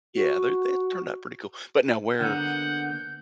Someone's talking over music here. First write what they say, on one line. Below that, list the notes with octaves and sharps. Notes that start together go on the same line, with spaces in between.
Yeah, they're they had turned out pretty cool. But now where
F#4
D3 A#3 B3 F#5 G6